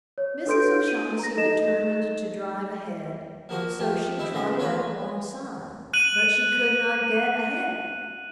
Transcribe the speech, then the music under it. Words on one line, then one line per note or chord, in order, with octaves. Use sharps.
Mrs. O'Shaughnessy determined to drive ahead; so she trotted up alongside, but she could not get ahead.
C#5
D4 A4 B4 C6 G6 D7
D#7
A#5 A#6
D#4 A4 D#5 E7
F3 A#3 F#4 A#4
F3 A3 G4
D#4 E4 E5
C#3 B3 A#5 C6 D6
A3 F4 B4 C#5 B5 C6
F#6 D#7 F#7